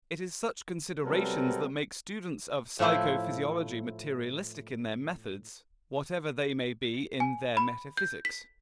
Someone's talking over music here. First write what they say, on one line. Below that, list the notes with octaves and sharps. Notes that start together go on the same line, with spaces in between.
It is such considerations that make students of psychophysiology materialistic in their methods, whatever they may be in their metaphysics.
C3 F#3 G3 B3 A4 A#4
A2 F3 A3 E4 C5
G#5
B5
G6
B6